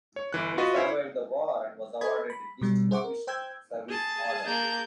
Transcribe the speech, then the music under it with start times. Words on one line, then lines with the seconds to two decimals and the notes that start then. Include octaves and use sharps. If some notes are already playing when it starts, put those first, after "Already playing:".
He survived the war and was awarded a Distinguished Service Order.
0.16 C#5
0.33 G1 E3 F#6
0.58 F4 F#4 B4 D#5
0.75 E4 C5 C#5 E5
2.01 A4 C#5 D#5 G#5 B5 G#6
2.30 B5
2.61 B2 G3
2.91 G#4 C5 E5 F#5 C#6 D6
3.04 A#4
3.27 C5 G5 E6 G6 G#6
3.89 G#4 A5
4.47 A#3 G6